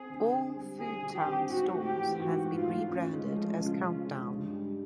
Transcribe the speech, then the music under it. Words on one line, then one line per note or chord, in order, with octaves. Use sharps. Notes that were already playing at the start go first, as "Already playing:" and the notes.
All Foodtown stores have been rebranded as Countdown.
Already playing: C4 G#4
D3
C4
G3
D3 G#4
D3
G4
C4
G#2 F#4
A3
G4
E3
G#2 F#4
G#2
F4
A3
C#4 F4
G#3
F3
C#3
C#4
G#3
G2
G3